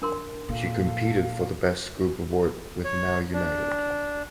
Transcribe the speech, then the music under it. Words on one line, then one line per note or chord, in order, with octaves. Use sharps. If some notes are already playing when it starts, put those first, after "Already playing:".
She competed for the Best Group award with Now United.
D4 A#4 C6
A#2 A4 F5
C#5
D4